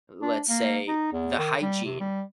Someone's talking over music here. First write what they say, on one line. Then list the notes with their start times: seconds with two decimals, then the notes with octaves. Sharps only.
Let's say the hygiene-
0.22 D4
0.49 A#3
0.88 D#4
1.13 E2
1.39 D#3
1.61 G3
1.84 C3
2.00 G3